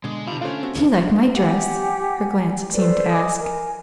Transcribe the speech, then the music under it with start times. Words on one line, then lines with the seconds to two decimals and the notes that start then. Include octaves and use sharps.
"Do you like my dress?" her glance seemed to ask.
0.04 B2 D3 G#3
0.27 C3 D#3 F4 A5 B5
0.41 A3 C#4 D4 F4 C5
0.63 C4 F#4
0.76 D#2 A2 C#3 C#4 E4 B4
1.31 G4 F#5 G#5
2.73 A4 B4 C5 D5
3.09 D#5 G#5 D6 D#6
3.39 A#4 G#5